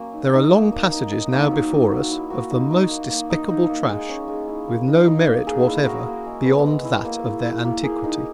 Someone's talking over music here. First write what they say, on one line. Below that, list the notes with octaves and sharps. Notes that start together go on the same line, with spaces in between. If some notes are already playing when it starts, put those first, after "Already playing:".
There are long passages now before us of the most despicable trash, with no merit whatever beyond that of their antiquity..
Already playing: F#3 A#3 C#4
D#4
D#4
A#3
A#3
D#4
D#4
A#3
F#3
A#3
F#3
E4
A#3 F#4
D#4
D#4
A#3
A#3
D#4
D#4
A#3
G#3
C#4
G#3
E4
A#3
D#4
D#4
A#3
A#3 G#4
E4
E4 F#4 A#4
A#3
G#3
B3
G#3
E4
A#3
E4
E4
A#3
A#3 G#4
D#4